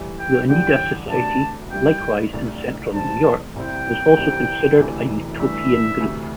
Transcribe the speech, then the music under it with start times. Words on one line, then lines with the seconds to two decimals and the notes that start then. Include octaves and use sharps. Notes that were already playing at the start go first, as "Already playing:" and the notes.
The Oneida Society, likewise in central New York, was also considered a utopian group.
Already playing: A2 E3 G3 E4
0.19 G5
0.50 E2 D3 G3 G5
1.11 D2 C3 A3 D4 A5
1.72 G2 G3 E4 G5
2.34 C2 C3 A3 D4
2.94 E2 C3 A3 C4 A5
3.56 C2 C3 G3 C4 E4 G5
4.17 C2 C3 E3 G3 C4
4.78 E1 D2 C3 E3 A3
5.39 G2 E3 A3 D4 E5
6.01 D2 C3 E3 A3